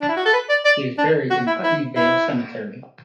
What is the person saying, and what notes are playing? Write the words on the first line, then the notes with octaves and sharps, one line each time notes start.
He is buried in Putney Vale Cemetery.
D4
E4
F#4
A4
B4
D5
D5
D4
F#4
E4
E4
E4